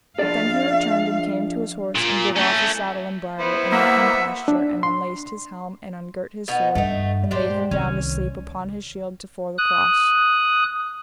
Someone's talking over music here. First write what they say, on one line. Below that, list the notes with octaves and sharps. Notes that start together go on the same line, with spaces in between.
Then he returned and came to his horse and did off his saddle and bridle, and let him pasture, and unlaced his helm, and ungirt his sword, and laid him down to sleep upon his shield to-fore the cross.
F3 D4 D5 F5
A#2
A3 C#4
B3 E4 C5
A#3 E5 F#5
D4
C6
B2 B3 D#4
G2 A3 D#4
A#2 D4 G4 C5
C2 D#3 C#4
D#6 F#6